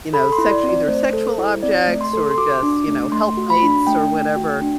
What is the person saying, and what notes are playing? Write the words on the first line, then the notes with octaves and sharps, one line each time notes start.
you know, sexu either sexual objects, or just, you know, helpmates, or whatever,
A4 B5
C6
E4
D5
C4
D5
A3 C5
A4
E4
C4 D5
A3
C6
A4
C6
F#4 D6
D4
A3
A3 C6
F#4
B5
D4
A3 G5
A3
F#4
D4